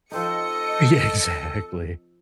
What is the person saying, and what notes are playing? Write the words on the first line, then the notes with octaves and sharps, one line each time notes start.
Yeah, exactly.
F3 C4 D#4 A4 D#5 C#7